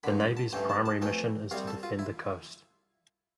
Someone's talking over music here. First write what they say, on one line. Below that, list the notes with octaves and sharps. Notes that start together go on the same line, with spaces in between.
The Navy's primary mission is to defend the coast.
A1 G2 D3 B5
B5
A5
A1 G2 E3 A3 G5
A5
A5
F2 E3 A3 G5
C2 C3 G3 F5
A4
F4
E4